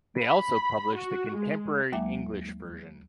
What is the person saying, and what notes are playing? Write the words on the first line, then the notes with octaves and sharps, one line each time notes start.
They also publish the Contemporary English Version.
B5
F#4
G#3
D#2 F#3 G#3 A#3 E5 D6